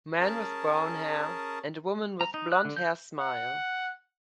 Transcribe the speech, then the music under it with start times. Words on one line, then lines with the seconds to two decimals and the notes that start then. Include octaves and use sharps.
Man with brown hair and a woman with blondhair smile.
0.20 C#4 G#4 A#4 A5
2.21 A#5
2.34 D#4
2.52 F#6
2.65 D3
2.77 G6
3.19 F#5